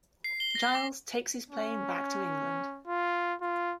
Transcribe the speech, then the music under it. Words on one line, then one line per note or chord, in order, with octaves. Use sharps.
Giles takes his plane back to England.
C7
G7
A#6
D6
C#4
F4
F4